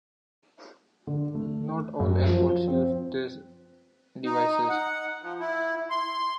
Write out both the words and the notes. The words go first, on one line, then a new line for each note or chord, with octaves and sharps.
Not all airports use these devices.
D3
A3
F#2
F3
C4
D#4
F#5
F3
E4
C6